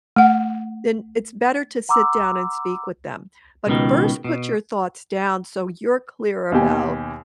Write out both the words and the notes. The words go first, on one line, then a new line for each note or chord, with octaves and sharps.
then it's better to sit down and speak with them. But first, put your thoughts down so you're clear about
A3 F#5
F#5 A#5 C6 D6 E6
C#2 B2 D#3
B2
D#2 B2 G4 G#5